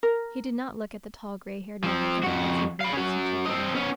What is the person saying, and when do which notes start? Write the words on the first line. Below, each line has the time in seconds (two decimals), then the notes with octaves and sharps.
He did not look at the tall, gray-haired man again as he advanced into the room.
0.03 A#4
1.84 F3 C4
2.23 F2 F#4
2.81 F5 B5
2.93 C#4 F#4
3.46 C4 D#5
3.75 B3 C#4